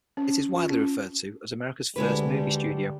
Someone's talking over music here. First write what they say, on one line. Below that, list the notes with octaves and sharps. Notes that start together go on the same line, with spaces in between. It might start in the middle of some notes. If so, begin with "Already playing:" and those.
It is widely referred to as America's First Movie Studio.
C#4
F4
C#4
D2 D3 G3 G#3 B4